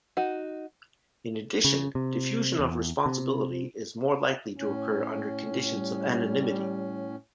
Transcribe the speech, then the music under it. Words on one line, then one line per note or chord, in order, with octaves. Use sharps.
In addition, diffusion of responsibility is more likely to occur under conditions of anonymity.
D#4 F#4
C#3
C3
E2
C3
A2 C#4
G3